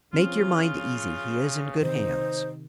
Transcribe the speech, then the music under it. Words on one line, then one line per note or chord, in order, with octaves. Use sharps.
"Make your mind easy, he is in good hands."
C#3 F3 C4 C#4 F4
C3 D#3 D#4 C5